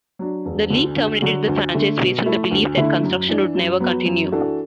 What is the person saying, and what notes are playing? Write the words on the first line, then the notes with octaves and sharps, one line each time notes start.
The league terminated the franchise based on the belief that construction would never continue.
F#3 D4
E1
D2 D3
D2
D3 F#3 D4 F#4
D2
D3 A3
B2
A3 E4 A4
D2
D3 A3 E4
F#2
E3 D4
F#2
F#3 B3
F#2
E3 D4 F#4 A4